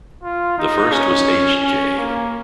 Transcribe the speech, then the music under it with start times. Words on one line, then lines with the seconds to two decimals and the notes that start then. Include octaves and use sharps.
The first was H. J.
0.23 F4
0.58 D#4
0.92 C#4
1.63 C#4
1.98 A#3